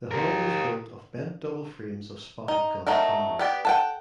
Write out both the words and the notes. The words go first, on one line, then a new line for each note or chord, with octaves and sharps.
The hull was built of bent double frames of spotted gum timber.
G4 A#4
D#4
F#3 A3 D#4 A#4
B3 G4 D5
A4 F#5 G5